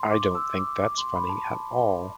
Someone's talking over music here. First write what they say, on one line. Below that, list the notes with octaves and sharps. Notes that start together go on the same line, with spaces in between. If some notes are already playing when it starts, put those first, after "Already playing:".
I don't think that's funny at all.
Already playing: C6
D6
E6
D6
D6
C6
B5
A5
A5